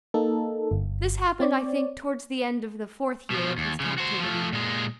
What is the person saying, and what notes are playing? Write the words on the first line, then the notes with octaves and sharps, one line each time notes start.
This happened, I think, towards the end of the fourth year of his captivity.
A#3 D#4 A4
G1
C4 C#5 D5
B2 F3
D#2
C#3 F3
F#4 C5
F3 A3
A#2 G#3